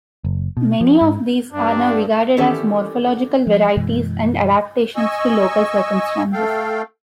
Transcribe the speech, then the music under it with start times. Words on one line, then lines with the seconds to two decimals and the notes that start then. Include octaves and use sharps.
Many of these are now regarded as morphological varieties and adaptations to local circumstances.
0.24 F#1
0.57 B2
0.81 F3
1.01 G#2
1.53 G2 D4
2.37 D#3 E3 C#4 G4 A4 D5
3.47 F3
3.77 F#2 B2 E3 G#3
4.96 D#5 G#5 C#6 E6
6.33 A3 A4 F5 G5